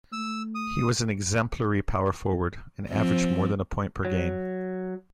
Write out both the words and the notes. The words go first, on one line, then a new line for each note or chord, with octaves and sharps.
He was an exemplary power forward, and averaged more than a point per game.
A3 E6
D#6
F3 C4
F#3